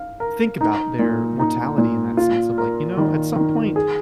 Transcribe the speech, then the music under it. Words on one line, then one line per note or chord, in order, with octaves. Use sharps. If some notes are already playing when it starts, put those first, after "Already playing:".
think about their mortality in that sense of, like, "You know, at some point,
Already playing: F5
A#4
D#4
A#2
D#4
A#2
F4
A#4
D#3
D#3
G#4